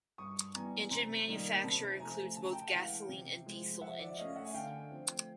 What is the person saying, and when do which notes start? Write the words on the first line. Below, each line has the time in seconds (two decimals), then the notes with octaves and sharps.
Engine manufacture includes both gasoline and diesel engines.
0.18 G2 C#6 D#6
0.54 E3 G3 B3 G#5 A#5
0.91 C3 A#5 C6
1.27 D#3 G3 A#3 D#4
1.64 C3 A5 B5
2.00 F3 A3 G#5 A#5
2.36 C#3 A5
2.45 A#5
2.53 G5 A5
2.68 F#5
2.72 E3 G#3 F5 G5
3.08 C3
3.46 F3 G#3
3.81 F3 E5 F#5
4.00 D5 E5
4.17 A3 C#4 D#5 F5
4.36 E5 F#5
4.45 G#5
4.54 D3 F5 G5
4.90 F3 A3 C4